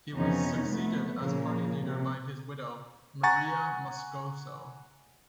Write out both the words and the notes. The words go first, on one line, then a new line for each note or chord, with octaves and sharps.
He was succeeded as party leader by his widow, Mireya Moscoso.
F2 C3 E3 B3 C#4 D#4
A3 B3
A#2 C#3 F3 A#3
C3
F#5 G#5 A#5 C#6 A6